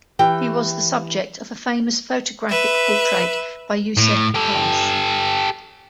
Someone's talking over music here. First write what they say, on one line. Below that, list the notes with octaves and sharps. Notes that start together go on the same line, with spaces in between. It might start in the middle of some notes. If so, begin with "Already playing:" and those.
He was the subject of a famous photographic portrait by Yousuf Karsh.
E3 G4 G5
B4 E5
A2
G4 A4